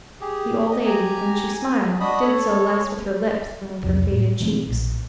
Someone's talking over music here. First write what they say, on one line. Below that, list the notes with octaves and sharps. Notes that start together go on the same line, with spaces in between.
The old lady, when she smiled, did so less with her lips than with her faded cheeks.
G4 G#4
D#5
G4 G#5 A#5
G#5
D4 F#4 D#5 B5 D#6
A4 C#5
C2 F2 F#3
A2
B2 E3 A3 C4
A#1